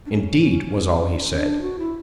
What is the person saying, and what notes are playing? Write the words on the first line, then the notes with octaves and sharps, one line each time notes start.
"Indeed!" was all he said.
D4
C#4
C#4
D4
F#4
E4